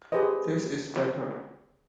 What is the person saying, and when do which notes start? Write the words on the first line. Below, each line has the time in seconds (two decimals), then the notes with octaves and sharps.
This is better.
0.12 G4 G#4 B4 C5 D#5